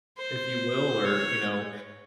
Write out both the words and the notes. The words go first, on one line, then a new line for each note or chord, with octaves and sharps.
if you will, or, you know
C5
C#5